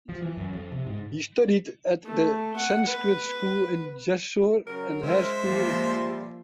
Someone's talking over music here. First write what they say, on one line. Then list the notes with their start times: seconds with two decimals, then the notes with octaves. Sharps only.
He studied at the Sanskrit school in Jessore and Hare School in Calcutta.
0.09 F3
0.22 E3
0.37 F#2
0.53 F2
0.72 C3
0.87 G#2
2.05 A3
2.56 F#5
2.87 B4
4.67 C#3 F#3 A#4
5.03 G#3 C5 E5
5.43 F3 G3 A#3 F4